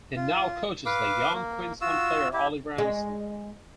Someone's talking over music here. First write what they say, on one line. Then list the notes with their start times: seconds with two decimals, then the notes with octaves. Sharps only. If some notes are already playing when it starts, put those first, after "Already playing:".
He now coaches the young Queensland player Oliver Anderson.
0.16 F4
0.86 B4 F5 D6
1.34 A#3
1.81 F4 F#4 E6
2.33 E4 G4
2.78 G#3